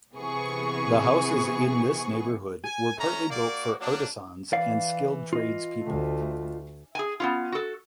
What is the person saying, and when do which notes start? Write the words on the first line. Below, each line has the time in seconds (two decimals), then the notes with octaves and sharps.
The houses in this neighborhood were partly built for artisans and skilled tradespeople.
0.15 C3 E3 B3 G#4 C#6
2.63 G#5
2.98 A3 C#4 A#5
3.30 A#3 F#4 D5
3.79 F#3 A#3 D4
4.53 E3 D5 F5
5.33 F4 D#5
5.82 D2 A3
6.95 G#4 G#5
7.20 B3 C#4 F4
7.52 F#4 A4